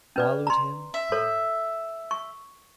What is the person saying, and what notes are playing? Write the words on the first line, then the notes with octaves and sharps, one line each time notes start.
Followed him, followed.
C#4 B4 D5
A#5 C6
E5
A4 C#5
C#6